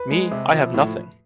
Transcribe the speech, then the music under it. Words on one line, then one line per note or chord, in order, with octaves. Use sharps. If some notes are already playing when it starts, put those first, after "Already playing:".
Me, I have nothing!
Already playing: B4
G#3
C3
F3
A2